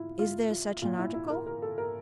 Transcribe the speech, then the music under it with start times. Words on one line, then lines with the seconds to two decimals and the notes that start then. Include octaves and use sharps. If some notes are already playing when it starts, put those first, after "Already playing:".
Is there such an article?
Already playing: E4 F4
0.19 F4
0.51 F4
0.82 A#2 F4
0.98 E4
1.14 E4
1.30 A#4
1.47 A#4
1.62 A4
1.78 A#4